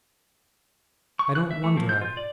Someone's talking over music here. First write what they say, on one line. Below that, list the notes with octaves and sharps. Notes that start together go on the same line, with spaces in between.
I don't wonder at it.
C#6
F#6
E5
A3
F3
G6
F4
D5